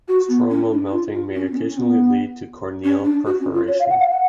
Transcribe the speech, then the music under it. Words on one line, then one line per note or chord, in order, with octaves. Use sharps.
Stromal melting may occasionally lead to corneal perforation.
F#4
B3
C#4
D4
D4
F4
F4
C#4
B3
C#4
C#4
B3
C#4
D4
F#4
C#4
F4
C#5
F5
F#5
F5
F#5